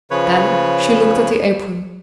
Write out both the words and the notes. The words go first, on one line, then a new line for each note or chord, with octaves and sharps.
Then she looked at the apron.
C#3 F3 B4 C#5